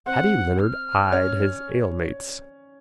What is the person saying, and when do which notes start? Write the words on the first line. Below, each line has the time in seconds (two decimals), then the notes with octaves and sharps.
Paddy Leonard eyed his alemates.
0.06 C4 F#5
0.59 F6
1.12 C#4